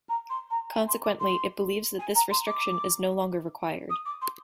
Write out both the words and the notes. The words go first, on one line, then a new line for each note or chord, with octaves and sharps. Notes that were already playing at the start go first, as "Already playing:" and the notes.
Consequently, it believes that this restriction is no longer required.
A#5
C6
A#5
G#5
C6
D6
C6
G#5
A#5
C6
D6
D#6
D6
C6